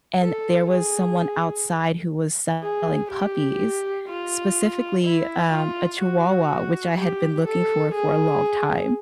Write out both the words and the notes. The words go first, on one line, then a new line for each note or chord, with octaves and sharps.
And there was someone outside who was selling puppies, specifically, um, a chihuahua, which I had been looking for for a long time.
A4
G#4
G#4
G4
F4
E4
F4
F#4
G4
A4
G#4